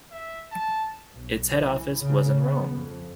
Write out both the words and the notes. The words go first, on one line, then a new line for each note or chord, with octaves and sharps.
Its head office was in Rome.
E5
A5
B1
E3
C#3
B3
F2